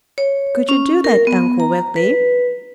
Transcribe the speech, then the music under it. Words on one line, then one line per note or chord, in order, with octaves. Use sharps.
"Could you do that, Uncle Wiggily?"
C#5
C#4
A#4
B3
A#5
B4